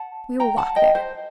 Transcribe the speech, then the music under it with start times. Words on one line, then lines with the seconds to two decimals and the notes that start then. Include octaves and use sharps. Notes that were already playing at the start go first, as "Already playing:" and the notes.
"We will walk there."
Already playing: F#5 A5
0.40 G5 A#5
0.58 F#5 A5
0.76 D#5 G5
0.95 C5